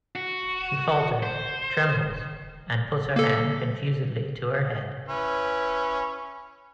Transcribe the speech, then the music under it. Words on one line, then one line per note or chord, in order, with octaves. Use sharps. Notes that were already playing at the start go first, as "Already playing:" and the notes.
She falters, trembles, and puts her hand confusedly to her head.
F#4
C5
A#3 A4
C#4 E4 B4